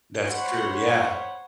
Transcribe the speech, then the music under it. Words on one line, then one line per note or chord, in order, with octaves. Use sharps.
That's true, yeah.
C5 C#5 F#5 B5 C6